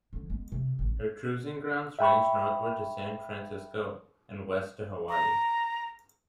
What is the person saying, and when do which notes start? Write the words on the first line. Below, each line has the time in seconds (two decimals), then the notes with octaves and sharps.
Her cruising grounds ranged northward to San Francisco and west to Hawaii.
0.13 D3 F3
0.30 G#3 B3
0.52 C3
0.79 A1 D2
1.99 E5 G5 B5 C#6
5.09 A#5